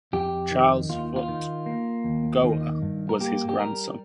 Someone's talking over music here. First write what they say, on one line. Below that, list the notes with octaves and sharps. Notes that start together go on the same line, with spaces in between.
Charles Foote Gower was his grandson.
F2 G4
D#3
D#2 F4
F4
D#3
A#3
D#2
D#3
G2
A#4
A#3 G4
G4
G3 A#4